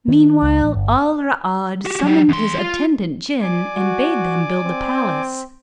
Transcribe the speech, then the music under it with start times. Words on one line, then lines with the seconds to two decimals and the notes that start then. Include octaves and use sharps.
Meanwhile, Al-Ra'ad summoned his attendant Jinn and bade them build the palace.
0.08 D#3
0.42 C#2
0.63 A1
0.75 G1
1.85 F#4 G4
2.03 F#3 G4
2.29 E2 C6
2.58 F4
3.41 D5 G#5 D6
3.76 F#4
4.64 C4